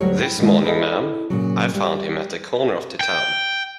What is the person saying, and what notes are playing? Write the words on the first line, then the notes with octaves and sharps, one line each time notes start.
This morning, ma'am; I found him at the corner of the town.
D2 F#3 G3 A#4 C#5
E4 G5
A2 D#3 G#3
E4 G#4 A4 D#5
A#2 C#3 F#3
G3
G5